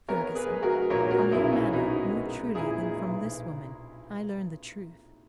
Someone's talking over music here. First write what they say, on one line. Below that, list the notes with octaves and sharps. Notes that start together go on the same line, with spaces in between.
Ferguson, from your manner more truly than from this woman, I learn the truth.
B3 A#4 C#5
G#4 B4
G#3
F#4 A#4
A#2 A#4 C#5
F#4 A#4
B1 E4 G#4
C#4 E4
B3 D#4 F#4
G#3
A#2 E4 G#4
B1